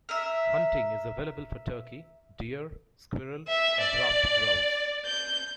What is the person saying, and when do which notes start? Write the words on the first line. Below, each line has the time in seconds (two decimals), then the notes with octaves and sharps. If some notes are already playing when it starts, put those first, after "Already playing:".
Hunting is available for turkey, deer, squirrel, and ruffed grouse.
0.09 A#4 E5
3.48 E5
3.80 D5
5.05 G6